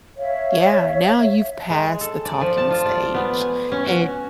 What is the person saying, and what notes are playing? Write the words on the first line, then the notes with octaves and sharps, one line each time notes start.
Yeah, now you've passed the talking stage, and
C#5 E5 F5
G#3
A4
D5
F3
A5
F4
D5
B3
G#5
C#4
F#4